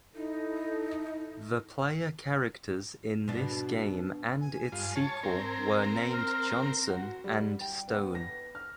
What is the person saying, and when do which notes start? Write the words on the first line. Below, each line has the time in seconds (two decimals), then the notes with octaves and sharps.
The player characters in this game and its sequel were named Johnson and Stone.
0.16 D#4 E4 A4
3.28 B2 D4
4.41 G#5
4.72 G2 F4
4.95 C#5 A5 G#6
5.23 C4 A#4
6.12 F6
6.90 F#4
7.24 G3
7.61 G5
7.88 B3
8.15 A#6
8.55 F6